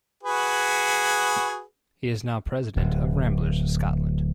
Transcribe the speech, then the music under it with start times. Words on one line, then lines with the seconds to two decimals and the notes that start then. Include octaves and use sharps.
He is now President of Ramblers Scotland.
0.23 F#4 G#4 B4
2.76 D1